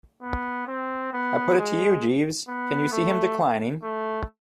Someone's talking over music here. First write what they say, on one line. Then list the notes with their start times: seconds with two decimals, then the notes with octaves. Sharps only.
I put it to you, Jeeves, can you see him declining?
0.22 B3
0.68 C4
1.13 B3
1.58 G#3
2.48 B3
2.93 A3
3.83 A3